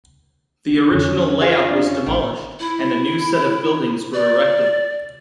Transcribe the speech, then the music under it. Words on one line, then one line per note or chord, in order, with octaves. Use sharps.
The original layout was demolished, and a new set of buildings were erected.
F2 D3 C#4
F4 G#4
D4
C#4
A1 D#3
E4
D5